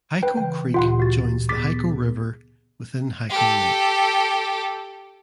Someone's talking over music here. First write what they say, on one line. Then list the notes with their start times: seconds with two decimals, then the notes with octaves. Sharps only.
Hyco Creek joins the Hyco River within Hyco Lake.
0.23 B4 G5
0.37 C#3 E3 G5
0.74 D2 A#2 F4 G4 F#5 C6
1.00 F#4 A6
1.49 B3 G#4 D6 A6 B6
3.30 G4 A4